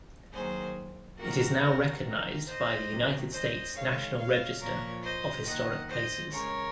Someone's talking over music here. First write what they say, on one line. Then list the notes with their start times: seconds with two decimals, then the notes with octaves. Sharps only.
It is now recognized by the United States National Register of Historic Places.
0.32 D#3 F#3 A#3 G#4 C5
1.18 D#3 A#3 F#4 A#4
2.04 D#3 A#3
2.46 C5 D#5
2.89 C3 D#3 F#3
3.32 C5 D#5
3.74 D#3 G#3 C#5 F5
4.16 C#5 F5
4.59 A#2 F3 A#3 A#4 C#5
5.02 C5 D#5
5.45 D#3 A#3 D#5 F#5
5.87 C5 D#5
6.30 C#3 G#3 A#4 C#5